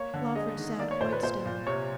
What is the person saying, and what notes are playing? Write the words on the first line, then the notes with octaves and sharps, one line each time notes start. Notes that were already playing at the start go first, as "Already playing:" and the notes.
Lawford sat quite still.
Already playing: A#3 C#5
D3
G#3 D#5
D#3
A#3 D5
C#5
A#2 C5
B4
A#2 C5
A#2
C3 C#5